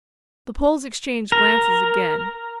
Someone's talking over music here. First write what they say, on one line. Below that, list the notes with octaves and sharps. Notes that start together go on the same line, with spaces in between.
The Poles exchanged glances again.
A#4